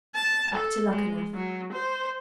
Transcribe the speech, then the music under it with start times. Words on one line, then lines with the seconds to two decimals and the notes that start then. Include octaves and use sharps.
"Back to Luckenough."
0.15 A5
0.55 A4
0.91 G#3
1.34 F#3
1.72 C5